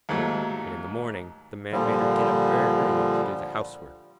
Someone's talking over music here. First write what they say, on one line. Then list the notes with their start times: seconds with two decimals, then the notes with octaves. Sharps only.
But in the morning the Man made her get up very early to do the housework.
0.09 D#2 G#2 F#3 A3
1.72 A#2 D3 F3 G3